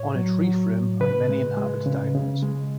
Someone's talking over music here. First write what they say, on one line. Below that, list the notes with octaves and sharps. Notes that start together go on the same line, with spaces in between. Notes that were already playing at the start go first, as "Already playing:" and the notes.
On its reef rim are many inhabited islands.
Already playing: A2 C#5
F#3
F#3
A2
C#3 B4
G#3
G#3
C#3
C#3
G#3